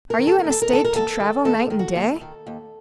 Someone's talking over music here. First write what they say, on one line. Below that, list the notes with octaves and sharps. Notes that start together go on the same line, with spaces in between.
Are you in a state to travel night and day?
A#4
D#3
A4
A#4
D#2
A4
A#4
D#3 A4
A#4
D#2 A4
D#3
D#2 A4
D#3
F#4
D#2 A4
D#3
D#2